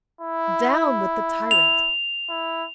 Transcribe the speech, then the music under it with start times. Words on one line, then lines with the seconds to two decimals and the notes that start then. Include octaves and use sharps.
Down with the tyrant!
0.21 E4
1.51 F7
2.29 E4